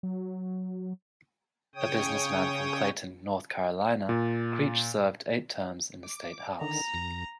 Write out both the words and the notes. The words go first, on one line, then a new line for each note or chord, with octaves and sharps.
A businessman from Clayton, North Carolina, Creech served eight terms in the state House.
F#3
C#3 C#5 G5 D#6
A#2
D6
D3 D#3 A#5
F2 A#6